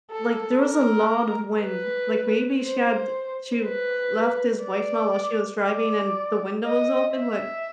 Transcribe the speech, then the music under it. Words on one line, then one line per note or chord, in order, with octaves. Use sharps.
like, there was a lot of wind, like, maybe she had she left this voicemail while she was driving and the window was open, like,
A4
A#4
B4
C5
B4
D5
D5
D#5
E5